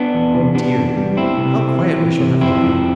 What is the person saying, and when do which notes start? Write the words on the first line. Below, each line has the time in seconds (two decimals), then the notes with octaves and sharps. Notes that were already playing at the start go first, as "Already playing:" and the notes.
Oh dear, how quiet we shall have to be!
Already playing: B3 D4
0.14 E2
0.35 C3
0.55 C3 B3 D4
0.76 E2
0.97 G3
1.17 A3 C4 E4
1.38 C3
1.58 C3
1.78 E3
1.99 E3
2.20 C3
2.41 F2 C4 E4
2.62 F2